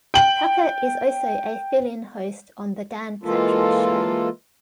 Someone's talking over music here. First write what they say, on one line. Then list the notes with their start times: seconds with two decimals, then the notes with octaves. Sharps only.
Tucker is also a fill-in host on the "Dan Patrick Show".
0.14 G5 F#7
3.23 E3 G#3 A#3 F4 A4